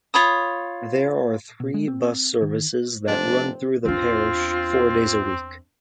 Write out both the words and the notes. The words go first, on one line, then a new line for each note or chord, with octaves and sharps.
There are three bus services that run through the parish, four days a week.
F4 C#5 B5 D#6
B2
G#3
C4
D#3
F1 C4 D4
E2 C4 D4 F4